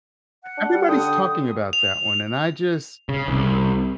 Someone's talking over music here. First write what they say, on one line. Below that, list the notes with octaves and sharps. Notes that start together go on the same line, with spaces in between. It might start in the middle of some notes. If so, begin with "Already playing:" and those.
Everybody's talking about that one, and I just
F#5
D4
G3
D3 G5 D#6
F7
C#3
C2